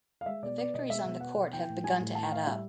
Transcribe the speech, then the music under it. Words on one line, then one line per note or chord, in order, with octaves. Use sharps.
The victories on the court have begun to add up.
F5
G#3 E5
B2 D5
B3 D5
B2 D#5
G#3 E5
B2
B3 F#5
B2
E3 G5
A2
G3 G#5
A2
E3 A5
A2 F5
G3 E5